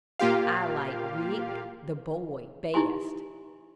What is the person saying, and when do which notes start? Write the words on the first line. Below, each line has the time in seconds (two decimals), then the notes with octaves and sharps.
I like Rick, the boy, best.
0.19 A#2 A#3 F4 G4 F5
2.74 D#4 E4 G4 G#5 C6